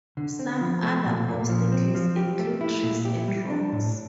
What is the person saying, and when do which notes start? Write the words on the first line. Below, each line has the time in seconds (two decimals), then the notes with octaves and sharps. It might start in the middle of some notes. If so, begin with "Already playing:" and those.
Some other obstacles include trees and rocks.
0.17 D3
0.39 C4
0.61 F3
0.83 A3
1.06 A#2
1.28 A#2
1.50 F3
1.72 C4
1.95 F3
2.16 G4
2.39 A3
2.61 E4
2.83 A#2
3.05 G4
3.28 G3
3.50 D4
3.73 A2